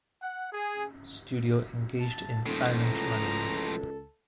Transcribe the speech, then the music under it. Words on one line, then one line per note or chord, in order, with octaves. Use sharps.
Studio engaged in 'silent running.
F#5
G#4
A5
D#1 A2 F3 A4
C#2 A#5